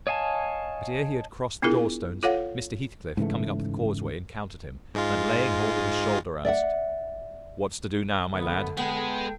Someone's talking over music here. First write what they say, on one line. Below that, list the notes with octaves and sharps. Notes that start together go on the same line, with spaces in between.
But ere he had crossed the door-stones, Mr. Heathcliff, coming up the causeway, encountered him, and laying hold of his shoulder asked,--'What's to do now, my lad?'
C#5 D#5 F5 G#5 A5
B3 D4 E4 F4 G#4 A#4
F4 A4 C#5 F5 F#5
G#2 C#3 E3 A3
G#2 G#3 F4
D5 E5 F#5
A#2 D3 A3 B3
G#3 B3 A4 G5